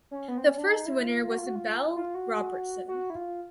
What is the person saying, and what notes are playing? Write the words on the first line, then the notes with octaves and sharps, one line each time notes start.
The first winner was Belle Robertson.
C#4
B3
C4
C#4
D4
D#4
E4
F4
F4
F#4
F4
F#4
F4
F4
F#4
F#4
E4
F4